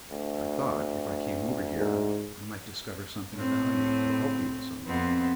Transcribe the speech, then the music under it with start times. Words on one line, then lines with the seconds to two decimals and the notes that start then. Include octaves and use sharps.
I thought, if I came over here, I might discover something of value, or help you in some way.
0.11 D2
1.78 G#2
3.34 A2 C4
4.86 F2 B3 C4